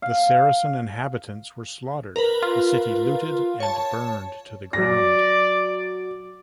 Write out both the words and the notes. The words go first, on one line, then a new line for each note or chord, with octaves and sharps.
The Saracen inhabitants were slaughtered, the city looted and burned to the ground.
F5
A#4 B4
F4
C#5 A5
F#3 D5 A#6